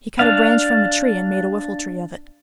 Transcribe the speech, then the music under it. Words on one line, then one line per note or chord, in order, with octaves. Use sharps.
He cut a branch from a tree and made a whiffle-tree of it.
D4 F5